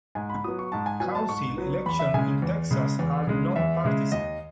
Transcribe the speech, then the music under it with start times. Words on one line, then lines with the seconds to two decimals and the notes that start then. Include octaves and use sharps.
Council elections in Texas are nonpartisan.
0.15 G#2 G#5
0.29 B5
0.44 F#3 B3 D#6
0.59 C#6
0.72 G#2 A5
0.86 G#5
1.00 F#3 B3 G#5
1.15 A5
1.29 G#2 C#6
1.58 F#3 B3
1.86 E2 B5
1.99 E5
2.14 C#3 G#3 G#5
2.42 E2
2.71 C#3 G#3
2.99 E2
3.27 C#3 G#3
3.56 E2 E5
3.85 C#3 G#3
4.12 D#2 D#5